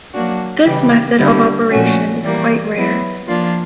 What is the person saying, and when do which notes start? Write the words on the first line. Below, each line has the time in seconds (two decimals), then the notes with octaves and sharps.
This method of operation is quite rare.
0.14 F#3 A#3 D4 F#4
0.65 C#3 E3 G3
1.18 D3 G3 B3 E4
1.71 A#2 F3 A3 C#4 F#4
2.23 E3 G3 A#3
2.76 F#3 B3 E4
3.28 F3 A#3 D4 F4